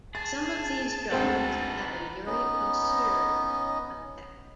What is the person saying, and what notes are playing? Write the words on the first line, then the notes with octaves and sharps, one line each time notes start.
Some of these drugs have a uricosuric effect.
G#4 A5 A6
D2 G#3 C4 D#4 B4
B3 C#4 D#4